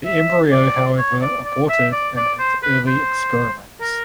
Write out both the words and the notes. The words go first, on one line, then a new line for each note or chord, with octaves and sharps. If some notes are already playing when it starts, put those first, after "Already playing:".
The Embryo however aborted in his early experiments.
E5
D5
C#5
D5
D5
E5
D5
D5
C5
B4
C5
A#4